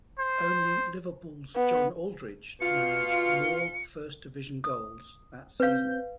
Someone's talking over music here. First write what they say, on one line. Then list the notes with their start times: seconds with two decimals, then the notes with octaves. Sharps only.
Only Liverpool's John Aldridge managed more First Division goals that season.
0.19 C5
1.55 B3
2.60 B2 F4 C#7
4.64 D#6
5.60 C4 B4 F5 G6